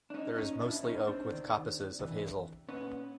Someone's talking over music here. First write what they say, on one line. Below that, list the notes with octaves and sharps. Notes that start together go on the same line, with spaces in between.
There is mostly oak with coppices of hazel.
D4
C#4 D#4
C#4 D#4
B2 D4 E4
C#4 D#4
C4 D4
C3 D#3
C3 E3
A#2 B3 C#4